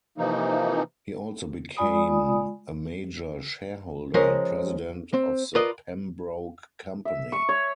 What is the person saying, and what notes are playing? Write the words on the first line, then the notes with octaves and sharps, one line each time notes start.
He also became a major shareholder and president of the Pembroke Company.
C3 E3 F3 A#3 D#4
G#3 F4 D5 G#5 B5 D#6
F3 G#3 C#4 A#4
C4
F4 A#4 B4 D5 D#5
E5
C#6
C#5